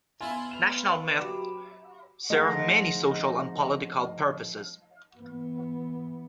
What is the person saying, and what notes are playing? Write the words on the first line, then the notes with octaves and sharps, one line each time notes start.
National myths serve many social and political purposes.
E3 B3 E4 F4 G#5
B4 E7 F7
F#3 G4 B5 D6 E7
F3 A3 D#4 G#4 D#5 F#5
E3 B3